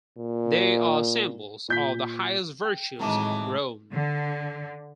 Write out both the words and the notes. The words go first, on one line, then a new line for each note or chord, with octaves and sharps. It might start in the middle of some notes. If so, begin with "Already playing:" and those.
They are symbols of the highest virtues of Rome.
A#2
A#2 G6 B6
G5
A2 D#3 E3 F#3 G#3 C4 A5 D6
D3